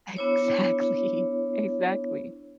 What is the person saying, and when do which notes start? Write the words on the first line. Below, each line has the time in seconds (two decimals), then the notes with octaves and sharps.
Exactly. Exactly.
0.16 B3 D4 E4 C5 C#5